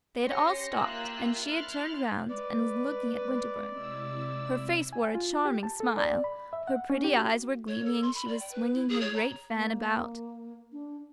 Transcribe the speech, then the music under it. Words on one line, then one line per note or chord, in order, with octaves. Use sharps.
They had all stopped, and she had turned round and was looking at Winterbourne. Her face wore a charming smile, her pretty eyes were gleaming, she was swinging her great fan about.
C#4 G4 C#5 C6 A#6 C#7
A#3 F4 G4 E5 E6 F#6
E4 C6 F6 F#6 A6
G#3 B4 D5
C3 E4 E6
G#5
F4
G4
A5
A4
D5
B5
E5
F#5
C#4
G4
F#4
C#5
A4
C6
B5
D5
G5
B4
E4
G#4
C#5
A#5
A#3
D4